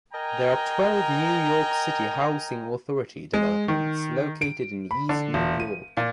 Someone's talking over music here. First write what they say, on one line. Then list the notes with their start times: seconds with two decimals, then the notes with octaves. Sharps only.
There are twelve New York City Housing Authority developments located in East New York.
0.14 A#4 D#5 G5 G#5 A#5
3.34 G#3
3.68 D#3
4.41 D7
4.91 B5
5.09 D3
5.34 E1
5.60 D#7
5.97 A#2